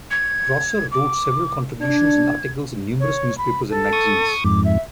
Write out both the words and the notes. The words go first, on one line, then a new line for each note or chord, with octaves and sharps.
Krausser wrote several contributions and articles in numerous newspapers and magazines.
G#6
D6
D4 G#6
C#5
B5
A4
C#6 D#6
F2 G#2 D6
E5